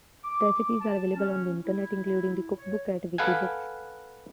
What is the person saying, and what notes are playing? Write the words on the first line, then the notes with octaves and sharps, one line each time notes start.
Recipes are available on the Internet, including the cookbook at Wikibooks.
D6
A5
C#4
E4
C#5
A4 B4 F5 F#5 G#5